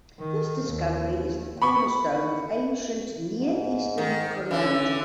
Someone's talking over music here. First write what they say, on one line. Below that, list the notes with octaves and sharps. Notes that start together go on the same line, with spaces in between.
This discovery is the cornerstone of ancient Near Eastern chronology.
D#3
D#2
B5 C#6
G#2
D#3
D3 E3 C#4